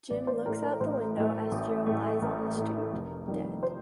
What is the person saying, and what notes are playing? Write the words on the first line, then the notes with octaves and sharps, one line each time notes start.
Jim looks out of the window as Joe lies on the street, dead.
A1 D5
C5
A2 A3 A#4
A#4
A1 C5
A2 A3
A1
A2 A3
A1 A#4
A2 A3
F1
F2 D#3 G3
C5